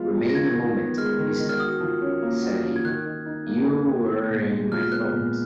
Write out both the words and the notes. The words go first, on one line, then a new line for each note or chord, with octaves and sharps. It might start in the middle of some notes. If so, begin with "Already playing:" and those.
"Remain a moment, Esther," said he, "You were in my thoughts."
Already playing: F3 G#3 B3 F4
F3
A#6
D#3 G#6
D#3
B3
G#3 F6
D#3
D#3
F6
F#4 D#6
F3
C#4
A#3
F#4
F3
G#6
D#3 F#6
D#3
D#4
A#3
D#3
D#3
B3
A#2
G#3
F3 F6
F6
B3 F#6
A#2